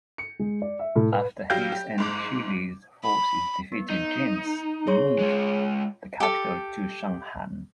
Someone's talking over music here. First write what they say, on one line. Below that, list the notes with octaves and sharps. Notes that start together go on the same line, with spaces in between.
After his and Shi Le's forces defeated Jin's, he moved the capital to Chang'an.
C#7
G#3
D5
E5
A2
B4
F#3 G3 G4 F5 G6
G4
F#1 G#2 D6
B5
B3
D#4
G#4 C#5 C6
G#3 F4
G4 A4